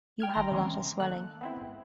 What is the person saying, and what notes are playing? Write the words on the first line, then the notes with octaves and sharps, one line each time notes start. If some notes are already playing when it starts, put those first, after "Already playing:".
You have a lot of swelling.
G5 F6 G#6
G#1 D#3 A#5 C6 A#6
C3 E3 G3 G#3 C4 C#4
D#3 A#3 A4 F#6
B3 C4 E4
G#1